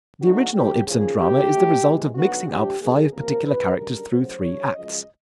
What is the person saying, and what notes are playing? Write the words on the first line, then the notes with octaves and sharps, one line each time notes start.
The original Ibsen drama is the result of mixing up five particular characters through three acts.
D3 F#3 A3 C4 D#4 F#4
E2 C3 E3 G3 G4
D#2 C#3 F3 A#3 C#4 G#4
D2 C3 D#3 G4
C#3 F#3 A3
E2 C3 E3 G#3
D3 F#3 B3 D#4 F#4
D3 F3 A3 D4 G4
G2 D#3 F#3 A#3 D4 G#4
C3 F3 A#3 A#4
F2 C3 E3 B4
F#2 D3 G3 A#4
C#3 F#3 A3 C5
F#2 D3 G3 C#5
F#2 C#3 F3 G#3 D#5